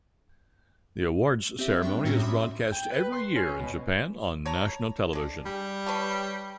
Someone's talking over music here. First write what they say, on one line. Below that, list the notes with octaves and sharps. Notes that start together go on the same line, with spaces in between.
The awards ceremony is broadcast every year in Japan on national television.
C4 G4 E5
G3 D4 G5 C#6
A2 C4 C#4 F#4 A#5
E5 B5 C6 D6 D#6
G5
B4
C6
C#4
B2
C#5 A5 A#5
G#3 D4
G3
B4 C#5 A5